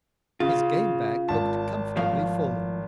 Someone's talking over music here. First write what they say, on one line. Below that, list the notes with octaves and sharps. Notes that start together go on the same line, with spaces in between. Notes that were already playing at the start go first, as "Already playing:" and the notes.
His game-bag looked comfortably full.
C#3 F4
G#1 A5
A2 F3 F5